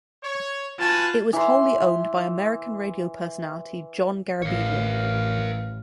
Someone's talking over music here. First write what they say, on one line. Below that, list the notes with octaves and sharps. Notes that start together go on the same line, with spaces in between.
It was wholly owned by American radio personality John Garabedian.
C#5
F4 F#4 B4 G#5 A5
E3 C6
A1 E3 A#4 C#5 F5